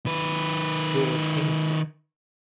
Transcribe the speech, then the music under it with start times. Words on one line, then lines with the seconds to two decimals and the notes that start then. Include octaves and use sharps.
George Hingston.
0.06 D#3 B4